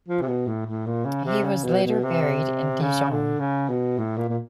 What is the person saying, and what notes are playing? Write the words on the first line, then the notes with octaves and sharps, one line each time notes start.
He was later buried in Dijon.
F3
C3
B2
A2
A2
A#2
C#3
C3
C#3
B2
B2
C3
C#3
D3
C#3
B2
A2
A#2
A#2